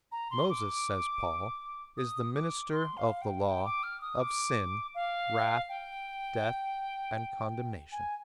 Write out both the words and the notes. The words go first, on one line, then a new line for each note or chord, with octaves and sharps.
"Moses," says Paul, "is the minister of the Law, of sin, wrath, death, and condemnation."
A#5
C6
D6
D#6
D6
C6
F5
G5
G5
D6
F6
D#6
D6
F5
G5
G#5